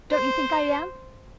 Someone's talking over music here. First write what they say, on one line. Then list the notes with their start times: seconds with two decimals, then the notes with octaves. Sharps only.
Don't you think I am?
0.11 C5